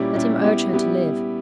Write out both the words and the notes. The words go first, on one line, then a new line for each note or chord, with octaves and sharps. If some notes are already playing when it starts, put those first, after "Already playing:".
Let him urge her to live.
Already playing: A#2 G3 C#4 E4 G4
A#2 G3 C#4 E4 G4
G3 B3 E4 G4
G3 B3 E4 G4